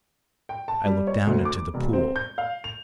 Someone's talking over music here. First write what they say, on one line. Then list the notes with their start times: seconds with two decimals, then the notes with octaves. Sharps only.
I looked down into the pool.
0.49 G5
0.68 A5
0.85 G3
1.07 C#5
1.27 D2
1.45 D6
1.74 E1
1.93 C4
2.16 G6
2.38 F5
2.64 F7